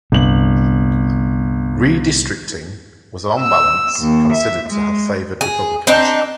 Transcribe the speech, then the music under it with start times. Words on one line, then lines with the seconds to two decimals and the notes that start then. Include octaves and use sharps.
Redistricting was on balance considered to have favored Republicans.
0.12 G1 C2 F#7
3.39 E6
3.99 D#2
4.32 E5
4.68 G#3
5.41 G#4
5.87 C4 D4 D#4